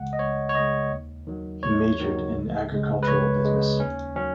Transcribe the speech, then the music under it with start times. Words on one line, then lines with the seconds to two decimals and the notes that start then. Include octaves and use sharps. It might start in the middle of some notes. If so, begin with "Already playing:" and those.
He majored in agricultural business.
Already playing: C#2 C#3 G#3 F#5
0.13 D#5
0.19 C#2 C#5
0.49 C#5
0.55 C#3 G#3 D#5
0.91 D#2
1.27 D#3 F#3
1.63 D#2 C#5
2.00 D#3 F#3
2.36 C#2
2.72 C#3 G#3
3.03 B4
3.08 C#2 C#5
3.44 C#3 G#3
3.80 D#2 C#4
4.15 D#3 F#3 C#4